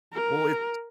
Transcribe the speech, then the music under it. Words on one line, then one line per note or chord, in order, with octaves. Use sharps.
Well, it's
A#4